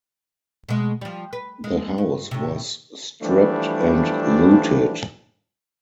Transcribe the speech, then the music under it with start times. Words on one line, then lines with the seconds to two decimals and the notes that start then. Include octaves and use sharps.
The house was stripped and looted.
0.69 B2 G#3
1.01 F3 G3
1.33 B4
1.64 G#3
1.98 G2
2.31 A2 C3
3.22 E3 F3 G3 A3 D4